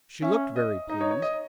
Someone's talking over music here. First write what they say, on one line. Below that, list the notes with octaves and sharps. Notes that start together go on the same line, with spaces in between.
She looked very pleased.
C#4 E5
D#5
D#4 D#5
C#5
C#5
D#5